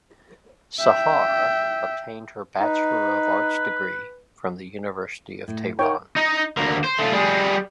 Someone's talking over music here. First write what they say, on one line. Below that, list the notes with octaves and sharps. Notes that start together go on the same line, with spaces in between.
Sahar obtained her Bachelor of Arts degree from the University of Tehran.
E5 G5
D#4 B4
A2
D#4 A#4 C#5 F#5 G5
D#4
D2 A#3
C5
A3 F4
G3 G#4